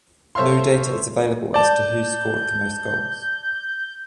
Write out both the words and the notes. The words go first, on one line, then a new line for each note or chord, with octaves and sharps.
No data is available as to who scored the most goals.
A4 C5 C#5 E5 F5 C6
D5 A5 G6